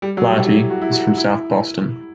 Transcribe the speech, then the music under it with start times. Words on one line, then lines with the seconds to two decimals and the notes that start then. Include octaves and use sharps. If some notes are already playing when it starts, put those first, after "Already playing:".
Flaherty is from South Boston.
0.02 G3
0.17 F#3
0.31 G3
0.46 E4
0.70 F#4
0.81 E4
0.92 F#4
1.17 E4